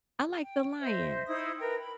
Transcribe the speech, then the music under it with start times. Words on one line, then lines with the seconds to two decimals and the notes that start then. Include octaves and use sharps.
I like the Lions.
0.42 G5
0.80 C5 D#5 E5
1.28 D#4 E4 C5 D#6
1.59 A#4 B4 G5
1.79 B5